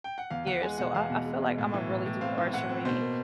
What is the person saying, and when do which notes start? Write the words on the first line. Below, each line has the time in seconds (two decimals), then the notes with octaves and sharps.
years, so, I I feel like I'ma really do archery
0.04 G5
0.18 F#5
0.30 E2 F5
0.47 E2 F#5
0.62 G#3 G#5
0.78 B2 F#5
0.95 E2 F5
1.10 B2
1.26 G#3
1.42 B2
1.58 A2
1.74 E3
1.89 A2
2.06 A2
2.21 C4 F5
2.38 E3
2.53 A2 F#5
2.69 C4
2.85 B2 C5
3.01 A#3